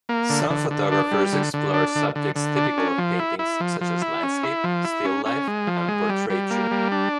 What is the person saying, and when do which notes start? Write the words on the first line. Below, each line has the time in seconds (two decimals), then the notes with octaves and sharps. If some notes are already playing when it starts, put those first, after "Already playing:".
Some photographers explore subjects typical of paintings such as landscape, still life, and portraiture.
0.09 A#3
0.30 D3
0.50 D3
0.71 D3
0.92 D4
1.11 G3
1.33 D3
1.54 D3
1.74 D4
1.95 D3
2.16 D3
2.36 D3
2.57 D4
2.78 C#4
2.98 F3
3.19 E4
3.39 E4
3.60 F3
3.81 F3
4.02 E4
4.23 C#4
4.43 E4
4.64 F3
4.85 E4
5.05 C#4
5.26 C#4
5.48 G#3
5.67 F3
5.88 G#3
6.09 G3
6.30 G3
6.51 A#3
6.71 G3
6.92 D4